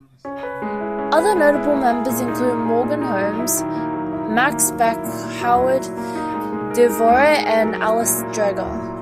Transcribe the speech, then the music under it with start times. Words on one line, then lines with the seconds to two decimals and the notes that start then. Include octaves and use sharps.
Other notable members included Morgan Holmes, Max Beck, Howard Devore and Alice Dreger.
0.25 C#4
0.43 B4
0.62 G#3
0.81 E4
0.99 C#4
1.17 B4
1.36 G#3
1.54 E4
1.72 A#3
1.91 G#4
2.09 A#2
2.28 D#4
2.46 A#3
2.65 G#4
2.83 A#2
3.01 D#4
3.20 F#3
3.39 E4
3.57 D#3
3.75 A#3
3.94 F#3
4.12 E4
4.31 D#3
4.50 A#3
4.67 F#3
4.86 E4
5.05 A#2
5.23 A#3
5.41 F#3
5.60 E4
5.79 A#2
5.97 A#3
6.15 D#4
6.34 G#3
6.53 G#3
6.71 A#4
6.89 D#4
7.08 G#3
7.26 G#3
7.45 A#4
7.63 F#3
7.82 E4
8.00 A#2
8.18 A#3
8.37 F#3
8.56 E4
8.73 A#2